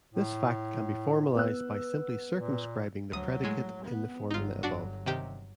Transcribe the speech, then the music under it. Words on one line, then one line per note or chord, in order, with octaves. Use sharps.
This fact can be formalized by simply circumscribing the predicate in the formula above.
A2
B3 E6 F#6
A#2
D2 F#3 D#6
A2 G#3
B3
G1 F#3 D#4 F4
D4 F#4
C3 D#3 G4